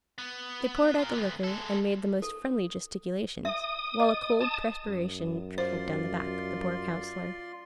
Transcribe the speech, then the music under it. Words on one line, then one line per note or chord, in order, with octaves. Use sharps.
They poured out the liquor, and made the most friendly gesticulations; while a cold perspiration trickled down the back of the poor Councillor.
B3
F4 A#4
D2 B3
G#3 A4
A4
E5 D#6
D#5
A5 D#6
F#2
F4 C5 D5 C6